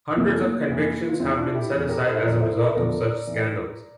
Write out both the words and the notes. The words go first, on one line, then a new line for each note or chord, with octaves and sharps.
Hundreds of convictions have been set aside as a result of such scandals.
F2 C3 E3 A#3
A3
A#3
F2 C3 E3
F4
E2 E3 C4 E4
D4 F4
E4 G4
E2 E3
G4 A#4
A4 C5
E5
E2 D3 F3 A#4 D5
C5 E5
A#4 D5
E5
E2 D3 F3 A#4 D5
A#4 D5
A2 E3